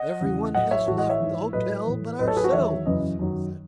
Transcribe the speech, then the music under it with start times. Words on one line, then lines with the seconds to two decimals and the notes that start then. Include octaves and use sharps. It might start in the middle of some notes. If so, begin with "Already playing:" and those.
"Everyone has left the hotel but ourselves," said he.
Already playing: D#5 F#5
0.21 E2 C#3 E3
0.55 A2 F#3 D#5 F#5
0.71 C#5 E5
0.87 A2 E3 F#4 A4
0.98 D#5 F#5
1.09 C#5 E5
1.20 G#2 E3
1.53 A2 F#3 B4 D#5
1.86 A2 E3
2.19 A2 F#3 B4 D#5
2.28 A4 C#5
2.37 G#4 B4
2.44 F#4 A4
2.52 E2 D#3 F#3 C#5 E5
2.86 F#2 C#3 E3 B4 D#5
3.19 F#2 D#3 F#3